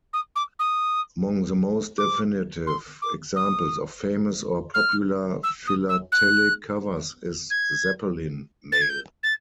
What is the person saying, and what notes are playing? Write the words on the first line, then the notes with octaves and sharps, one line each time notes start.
Among the most definitive examples of famous or popular philatelic covers is Zeppelin mail.
D#6
D6
D#6
D6
C6
D6
D#6
F6
E6
D#6
E6
F#6
G#6
A6
G#6
G6
A6